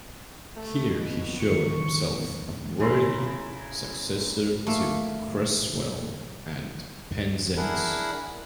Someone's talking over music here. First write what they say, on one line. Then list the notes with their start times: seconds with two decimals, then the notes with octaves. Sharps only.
Here he showed himself a worthy successor to Cresswell and Penzance.
0.56 A3
0.90 B2
1.40 D#3 C#6
2.80 C#3 E4 A#5 C6
4.67 A3 A#3
7.57 D4 E4 G#4 A#4 F#5 B5